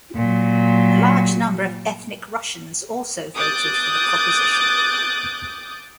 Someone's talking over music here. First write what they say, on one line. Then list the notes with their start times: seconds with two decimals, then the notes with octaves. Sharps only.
A large number of ethnic Russians also voted for the proposition.
0.16 A#2 F#3
3.36 D6 D#6 F#6 G6 A6